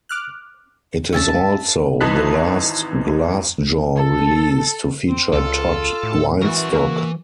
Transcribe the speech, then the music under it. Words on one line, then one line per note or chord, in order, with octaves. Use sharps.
It is also the last Glassjaw release to feature Todd Weinstock.
D6 F6 F#6
D2 C#3 C#4 E5 G#5 A5
G#1 E3 D#4 A5 F#6 B6
A4
C4
C#2 F4 A4
A2
E3 F#4 A#4 E5
E3 A#3